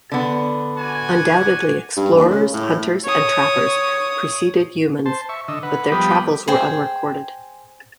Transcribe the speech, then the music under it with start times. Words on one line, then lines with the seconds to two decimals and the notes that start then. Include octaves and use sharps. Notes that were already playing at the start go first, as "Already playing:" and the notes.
Undoubtedly explorers, hunters, and trappers preceded Youmans, but their travels were unrecorded.
0.12 D3 B3
0.77 F#4 D5 G#5
1.97 G2
2.16 D#2
2.30 C#3
2.54 A2
3.05 C#5 D#6
5.06 C5 A5
5.29 E5 C#6
5.48 D3 D#5 E6
5.63 B4 F#5
5.92 F3 G3 B3 G4 B5 D#6
6.48 G#4 C5 G5